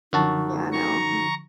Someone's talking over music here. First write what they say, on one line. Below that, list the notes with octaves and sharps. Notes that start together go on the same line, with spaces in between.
Yeah. I know, huh.
F#2 D3 F3 D#4 F#4 A5
A#5 C#6